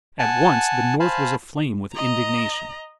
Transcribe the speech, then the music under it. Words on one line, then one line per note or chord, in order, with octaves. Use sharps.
At once the North was aflame with indignation.
F#5 G#5 A5
C5 F5 G#5 A5 B5
D#5 A#5